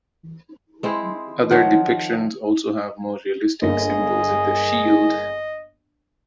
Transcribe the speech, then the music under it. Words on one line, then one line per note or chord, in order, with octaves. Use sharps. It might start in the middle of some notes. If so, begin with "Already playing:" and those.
Other depictions also have more realistic symbols in the shield.
G#3 C4 E4
D#3 F3 C#5 F#5
G1 A#3 G#4 D#5